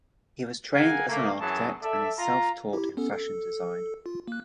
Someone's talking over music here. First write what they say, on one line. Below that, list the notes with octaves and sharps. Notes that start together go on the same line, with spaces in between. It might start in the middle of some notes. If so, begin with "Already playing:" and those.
He was trained as an architect and is self-taught in fashion design.
G#4 A#4 F5 F#5 G#5
A3 A#3
F#2 E3 F#3 G#4 A5
A4 D5 E5
F4 A#5
E4 G4
B3 C#4 A4
A4
F4
A#3 F#6